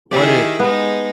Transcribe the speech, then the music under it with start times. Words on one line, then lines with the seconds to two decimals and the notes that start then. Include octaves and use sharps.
What did
0.11 D#3 E4 G4 G#4 D5
0.60 G#3 B3 D#4